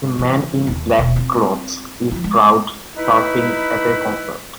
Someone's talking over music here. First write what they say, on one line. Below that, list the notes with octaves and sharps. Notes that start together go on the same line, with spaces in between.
A man in black clothes is crowd surfing at a concert.
E3
D#2 F4
D#1 B2
C4 F4
F3 E4
G#3
D#4 E4 B4